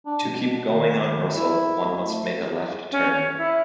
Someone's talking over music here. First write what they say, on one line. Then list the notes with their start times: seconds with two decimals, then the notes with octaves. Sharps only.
To keep going on Russell, one must make a left turn.
0.06 D4
0.24 B2
0.71 D#3
1.36 E4
2.04 A3
2.92 C#4
3.12 C#5
3.37 E4